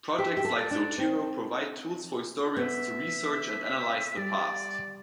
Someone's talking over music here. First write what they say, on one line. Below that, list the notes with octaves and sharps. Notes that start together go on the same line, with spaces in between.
Projects like Zotero provide tools for historians to research and analyze the past.
G4 E5
G4
A4
D5
D4
C4
B3 E5
G3 D5